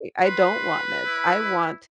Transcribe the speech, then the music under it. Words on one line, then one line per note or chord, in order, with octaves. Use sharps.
I don't want meds, I want
B4 C6
E4